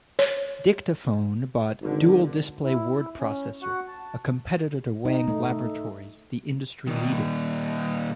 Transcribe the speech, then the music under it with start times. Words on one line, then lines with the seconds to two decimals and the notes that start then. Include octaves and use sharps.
Dictaphone bought Dual Display Word Processor, a competitor to Wang Laboratories, the industry leader.
0.19 C#5
1.81 G#1 D3
2.63 E4
3.20 C#4
3.62 F#4 F#5
3.88 A5
5.05 D#4
5.28 A3
6.87 A#2 D#3